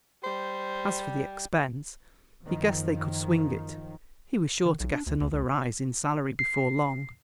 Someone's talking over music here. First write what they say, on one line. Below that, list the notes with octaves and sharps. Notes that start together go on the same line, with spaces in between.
As for the expense, he guessed they could swing it; he was sure to get another rise in salary before long.
G3 C5
F#1 D#3 F3
D#3
B1
D4
D2
D2
C#2
C7